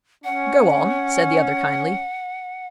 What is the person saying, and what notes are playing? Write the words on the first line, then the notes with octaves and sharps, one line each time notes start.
"Go on!" said the other kindly.
C#4 F#5